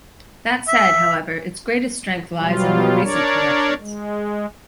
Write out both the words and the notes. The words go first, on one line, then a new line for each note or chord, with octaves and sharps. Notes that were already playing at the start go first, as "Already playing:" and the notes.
That said, however, its greatest strength lies in more recent collections.
E5
B2 F#3 G3 F4
D4 A#4 C#5 D5
G#3